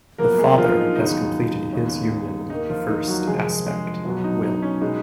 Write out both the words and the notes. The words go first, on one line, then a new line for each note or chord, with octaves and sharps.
The Father has completed His union with the first aspect, will.
F#2 F3 A#3 B3 A#4
G#3 G#4
F3 F4
D#4
D#2 C#3 F#3 B3 D#4
D#2 C#3 G#3 B3
D#2 D#3 A#3 D#4
F3 F4
D#4
F#3 F#4
F1 F2 D#3 G#3 G#4
G#3 G#4
B1 B2 F#3 B3
D#4
D#4
C#4
B2 G#3 B3 D#4